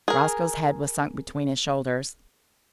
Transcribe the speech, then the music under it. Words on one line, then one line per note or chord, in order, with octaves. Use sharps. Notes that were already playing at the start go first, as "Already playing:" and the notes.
Roscoe's head was sunk between his shoulders.
G#4 A#4